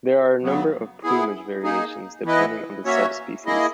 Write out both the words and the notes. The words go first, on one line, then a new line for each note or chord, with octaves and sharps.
There are a number of plumage variations depending on the sub-species.
C#3 F#3 B3
B3 E4 G#4
A#3 D#4 G#4
E3 B3 E4 B4 D#5
A#3 C#4 F#4 C#5 E5
A#3 E4 G#4 D#5